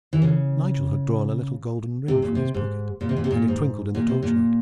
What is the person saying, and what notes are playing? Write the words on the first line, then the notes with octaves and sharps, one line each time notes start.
Nigel had drawn a little golden ring from his pocket, and it twinkled in the torchlight.
E3
C#3
C3
A#2
C3
G#2
A#2
C3
A#2
C3
A#2
G#2
A#2
C3
A#2